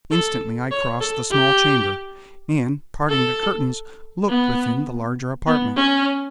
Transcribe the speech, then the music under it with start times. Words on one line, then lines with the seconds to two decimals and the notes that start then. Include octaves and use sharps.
Instantly I crossed the small chamber, and, parting the curtains, looked within the larger apartment.
0.12 A4
0.71 C#5
1.01 A4
1.31 G4
3.09 A4
4.29 B3
5.47 B3
5.77 C#4